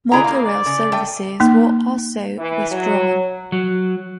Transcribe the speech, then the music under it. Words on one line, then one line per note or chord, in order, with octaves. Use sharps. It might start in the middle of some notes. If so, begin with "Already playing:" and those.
Motorail services were also withdrawn.
D3 E4 G#4 A#5
A#3 F5
D5
C#3
A3 G5
A#3 D#4
E3
F#3
F#3